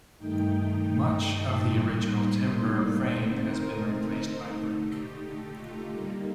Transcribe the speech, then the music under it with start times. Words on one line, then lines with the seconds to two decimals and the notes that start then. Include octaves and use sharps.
Much of the original timber frame has been replaced by brick.
0.18 G2 D#3 A3 D#4 G5
1.25 A5
1.61 A2 G3 A#3 D#4 C6
2.32 C6
2.67 D5
3.03 D3 A3 C4 D#4 C5
3.38 A#4
4.46 D3 A3 D#4
4.82 G4
5.53 F4
5.89 D3 G3 A#3 D#4